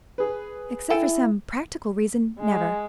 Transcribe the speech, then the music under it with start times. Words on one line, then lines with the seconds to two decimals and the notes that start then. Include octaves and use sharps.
"Except for some practical reason--never."
0.18 G#4 B4
0.90 E4 A4 G5 G#5
2.40 G#3